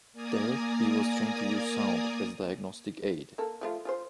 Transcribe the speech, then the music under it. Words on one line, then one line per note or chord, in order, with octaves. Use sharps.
There he was trained to use sound as a diagnostic aid.
A#3 D5 G#5 A#5 D#6
A#3 A4
F3 A3 F4
F4 G#4 C5